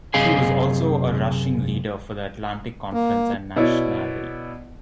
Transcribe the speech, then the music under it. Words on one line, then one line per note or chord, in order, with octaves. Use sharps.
He was also a rushing leader for the Atlantic conference and nationally.
F#2 C3 G#4 D#5 F5 G#5
A#3
B2 E4 C#5 D5